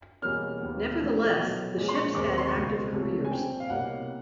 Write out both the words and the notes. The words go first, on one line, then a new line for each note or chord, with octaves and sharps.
Nevertheless, the ships had active careers.
E2 B2 G3 A#3 C#4 F6
D#2 D#3 G3 B3
A#2 F3 A3
B2 F#3 B3
A#2 F3 G#3 C#4
C6
C#6
D#2 D#3 G#3 C4 D6
C#6
C6
C#6
C#2 B2 G3 C4
C#2 C3 F3 A3 C#4
G#5
A#2 G3 C4 G5
F5
C2 B2 G3 A#3 C#4 F#5